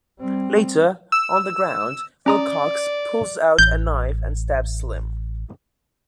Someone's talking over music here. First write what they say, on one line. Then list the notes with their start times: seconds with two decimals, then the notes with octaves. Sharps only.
Later, on the ground, Wilcox pulls out a knife and stabs Slim.
0.20 G3 C4
1.12 E6
2.26 C#4 D5 A#5 D#6
3.59 A1 G6